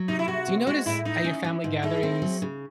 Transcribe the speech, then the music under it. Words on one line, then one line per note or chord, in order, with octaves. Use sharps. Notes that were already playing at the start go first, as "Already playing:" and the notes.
do you notice at your family gatherings,
Already playing: F#3
C3 D#4
E4
C3 F#4
C4
G#3 F#4
A2 E4
D#4 E4
C#4
E3
G#2
G#3 E4
C4
F#3
C#3